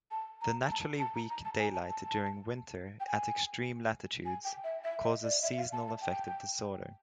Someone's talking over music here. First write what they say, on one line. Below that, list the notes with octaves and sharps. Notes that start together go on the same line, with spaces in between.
The naturally weak daylight during winter at extreme latitudes causes Seasonal affective disorder.
A5
A#5
A5
A5
A#5
A#5
A5
G#5
A5
A5
G5
G#5
G#5
G5
E5
E5
D#5
D5
E5
F5
A5
A5
G5